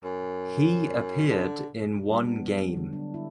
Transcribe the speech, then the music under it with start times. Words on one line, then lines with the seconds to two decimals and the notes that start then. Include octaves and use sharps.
He appeared in one game.
0.04 F#2
1.30 D3
1.96 D4
2.11 G3
2.25 B3
2.45 F#3
2.62 G3
2.77 D3
2.93 D4
3.14 E4